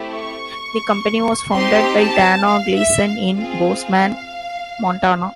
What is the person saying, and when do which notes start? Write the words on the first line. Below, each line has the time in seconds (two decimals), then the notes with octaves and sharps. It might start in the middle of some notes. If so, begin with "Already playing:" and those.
The company was founded by Dana Gleason in Bozeman, Montana.
Already playing: A3 C4 E4 G4
0.14 C#6
1.52 C4 D#4 G4 C6
1.99 A5
2.44 F5
2.74 E5
3.06 F5
3.36 C4 F4 G#4 F5